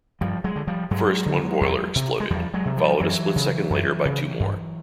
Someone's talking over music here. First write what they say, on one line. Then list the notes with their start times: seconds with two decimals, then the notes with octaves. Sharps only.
First one boiler exploded, followed a split second later by two more.
0.21 G2 F3 G3
0.44 F#3 G#3
0.56 D3
0.67 F3 G3
0.91 G2 F#3 G#3
1.26 D3
1.61 E2
1.96 C3
2.20 G#3
2.30 E2 F3 G3
2.54 F#3 G#3
2.65 C3
2.77 F3 G3
3.00 F#2 E3 F#3
3.36 C#3
3.70 F#2
4.05 C#3
4.40 G2